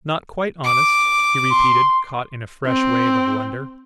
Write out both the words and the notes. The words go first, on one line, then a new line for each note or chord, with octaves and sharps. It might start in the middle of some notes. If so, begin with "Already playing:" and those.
"Not quite honest?" he repeated, caught in a fresh wave of wonder.
D6
C6
C4